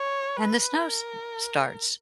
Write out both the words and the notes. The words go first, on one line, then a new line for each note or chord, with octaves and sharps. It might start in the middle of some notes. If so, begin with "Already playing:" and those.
and the snow s starts,
Already playing: C#5
B4
A#4